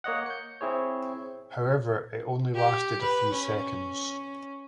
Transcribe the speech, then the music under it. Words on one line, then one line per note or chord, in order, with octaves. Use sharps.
However, it only lasted a few seconds.
A#3 C#5 D#5 F#5
G6 C#7
C4 E4 G#4 C#5
G4
B4
C#4